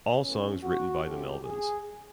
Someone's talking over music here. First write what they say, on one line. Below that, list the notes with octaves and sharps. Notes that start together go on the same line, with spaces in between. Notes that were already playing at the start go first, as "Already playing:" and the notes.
All songs written by The Melvins.
A2 F#3 B3 C#4
F#4
A2 F3 A3 C4 G4
G#4